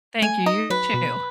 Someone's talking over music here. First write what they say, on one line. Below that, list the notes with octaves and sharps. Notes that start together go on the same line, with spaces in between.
Thank you, you, too.
A3 G#5
D#4 D#5
F#3 B4
B2